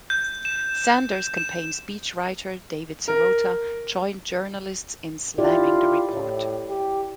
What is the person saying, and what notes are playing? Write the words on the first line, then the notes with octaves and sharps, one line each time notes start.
Sanders campaign speechwriter David Sirota joined journalists in slamming the report.
G6
E7
E7
A#4
E4 F4 G4 D5
A2
G4